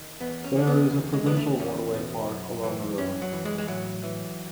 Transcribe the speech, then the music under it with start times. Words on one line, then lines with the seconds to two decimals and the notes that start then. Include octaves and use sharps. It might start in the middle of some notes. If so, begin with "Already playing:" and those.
There is a provincial waterway park along the river.
Already playing: D#3
0.20 E2 B3
0.44 C#4
0.56 D#3
0.67 B3
0.90 E2
1.13 G#3
1.25 B2 B3
1.37 A3
1.59 E2 C#4
1.94 B2
2.29 F#2
2.63 E3
2.98 F#2 C#4
3.22 F#3
3.33 E3
3.45 G#3
3.58 G#3
3.67 A2 F#3
4.03 E3